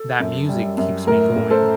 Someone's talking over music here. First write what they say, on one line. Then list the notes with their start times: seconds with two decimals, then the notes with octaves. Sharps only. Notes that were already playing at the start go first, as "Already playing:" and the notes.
that music keeps me going.
Already playing: A4
0.20 F#2
0.49 G3
0.77 F#2
1.07 A2 A#4
1.36 A2
1.51 A4 C5